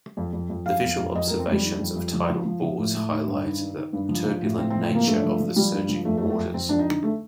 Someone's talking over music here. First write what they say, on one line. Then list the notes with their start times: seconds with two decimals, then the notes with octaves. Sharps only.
The visual observations of tidal bores highlight the turbulent nature of the surging waters.
0.17 F2
0.33 F2
0.49 F2
0.66 F2 F5
0.82 F2
0.99 F2
1.14 F2 D#5
1.27 F2 A#4
1.39 C4
1.48 F2 G3
1.64 D#3
1.80 F2
1.96 F2
2.13 F3
2.30 F3
2.45 F3
2.62 F3
2.78 A2
2.94 A2
3.11 D#3
3.28 G2
3.43 D#3
3.60 D#3
3.77 D#3
3.93 G2
4.09 F3
4.26 F3
4.42 A2
4.58 A2 C4
4.70 C4
4.75 F3
4.83 C4
4.91 F3 A#3
5.07 G2 A3
5.23 F3
5.40 F3
5.56 F3 G3
5.73 G2
5.89 F3
6.05 F2 A3
6.18 A3
6.22 F2
6.30 A3
6.38 F2
6.54 F2 C4
6.69 F2 D4
6.79 D#4
6.88 D3
7.03 A3